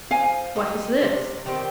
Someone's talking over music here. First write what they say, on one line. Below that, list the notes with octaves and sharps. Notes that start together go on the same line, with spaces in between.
What is this?
F3 F5 G#5
G#3 D#4 G4
C3
D#3 G3 C4